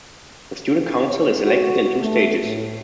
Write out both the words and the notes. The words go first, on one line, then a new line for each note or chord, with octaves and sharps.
The Student Council is elected in two stages.
C#5
F#4
A3
A2